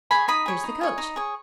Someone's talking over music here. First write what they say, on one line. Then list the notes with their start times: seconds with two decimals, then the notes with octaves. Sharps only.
Here's the coach.
0.11 G#4 C#5 G#5 B5
0.28 D#4 B5 D#6
0.46 G#4 C#5
0.64 D#4
0.81 G#4 C#5
0.98 D#4
1.16 G#4 C#5